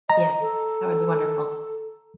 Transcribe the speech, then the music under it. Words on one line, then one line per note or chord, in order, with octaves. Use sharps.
Yes. That would be wonderful.
D#5 A#5
A4